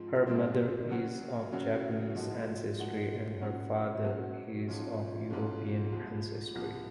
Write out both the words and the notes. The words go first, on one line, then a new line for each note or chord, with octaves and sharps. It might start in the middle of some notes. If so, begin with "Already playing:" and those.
Her mother is of Japanese ancestry and her father is of European ancestry.
Already playing: G#2 F3 G#3 C4
G#2 F3 G#3 C4 F4
C#3 F#3 C#4 F#4
C#3 F#3 C#4 F#4
A#2 F3 G#3 D#4 F#4
A#2 F3 G#3 D#4 F#4
A#2 F#3 C#4 F#4
A#2 F#3 C#4 F#4
G#2 F3 G#3 C#4 F4
G#2 F3 G#3 C#4 F4
C2 A#2 F3
C2 A#2 F3